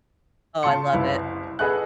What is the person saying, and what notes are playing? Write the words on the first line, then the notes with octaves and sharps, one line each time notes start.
Oh, I love it.
C#3 F4 A5 C6 C#7
F#1 C2 E4 B4 F5
G#4 A4 B4 D#5 F#5 F#6